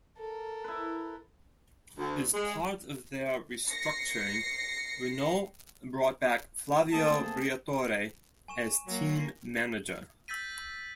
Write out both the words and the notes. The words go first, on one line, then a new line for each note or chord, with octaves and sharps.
As part of their restructuring, Renault brought back Flavio Briatore as team manager.
A4 A#4
E4 B4
D2
G#3
A#6 C7 C#7
A3 A#3 C4 G#4 A4 A5
G#5 C#6 E7
F#3 A#3
E6 G6 A6 B6 D#7